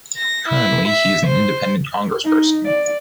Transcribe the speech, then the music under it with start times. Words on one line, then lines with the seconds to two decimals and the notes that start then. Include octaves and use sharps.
Currently, he is an independent congressperson.
0.17 A#6
0.48 E4
0.88 E5
1.27 C5
2.24 D#4
2.66 D5